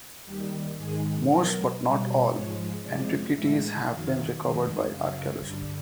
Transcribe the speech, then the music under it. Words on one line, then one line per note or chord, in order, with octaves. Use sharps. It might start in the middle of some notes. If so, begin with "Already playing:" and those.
Most, but not all, antiquities have been recovered by archaeology.
D#2 D#3 G3 G4
G#2 D#3 G#3 G#4
B2 F#3 A#4
B2 G3
G#2 F3 G#3 C#5
F2 C3 F3 G#3 D5
A2 E3 G#3 E5
F#2 D#3 F#3 F5
F#2 D#3 G#3
F#2 C#3 F#3 F5
G2 D3 G3